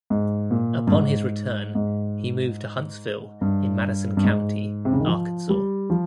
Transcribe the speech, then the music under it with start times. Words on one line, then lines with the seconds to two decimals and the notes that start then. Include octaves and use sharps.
Upon his return he moved to Huntsville in Madison County, Arkansas.
0.10 G#2
0.51 A#2
0.87 G2
0.92 G#2
1.75 G#2
3.41 G2
4.17 G2
4.24 G#2
4.85 C3
4.92 C#3
5.00 D#3
5.07 F3
5.49 G3
5.90 F3